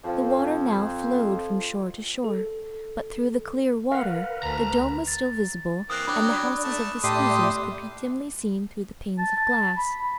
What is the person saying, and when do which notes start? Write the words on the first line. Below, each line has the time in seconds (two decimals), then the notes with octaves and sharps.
The water now flowed from shore to shore, but through the clear water the dome was still visible and the houses of the Skeezers could be dimly seen through the panes of glass.
0.04 F2 F3
2.24 A4
3.92 A#4 B4 F5 F#5
4.43 D2 A#5 B5
5.08 A6
5.90 E3 A#3 C4 D#6 F6 F#6
6.07 F#3 D4 G4 B5 D6 F#6
6.64 A3 A5
7.04 A2 G4 A4 D5 E5 C6 D#6
9.18 A5
9.37 A5
9.77 B5